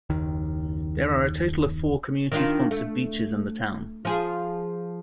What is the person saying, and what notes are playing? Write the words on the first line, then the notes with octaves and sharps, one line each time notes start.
There are a total of four community-sponsored beaches in the town.
F#1 D#2 D#3
D#3 D4 F4
A3
F3 G#4